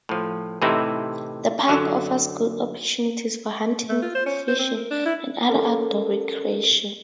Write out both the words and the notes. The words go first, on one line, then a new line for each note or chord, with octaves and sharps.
The park offers good opportunities for hunting, fishing, and other outdoor recreation.
A2 F3
A2 C3 E3 C4 D#4 E4
F#2 D3 F#3
A3
F4
C5
C#4
C5
C4
A#4
D4
E4
C#4 A4 A#4